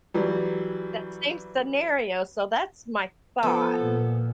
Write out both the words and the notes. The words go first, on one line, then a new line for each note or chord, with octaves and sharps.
That same scenario, so, that's my thought,
E3 F#3 G3
F3 B3 A4
A#2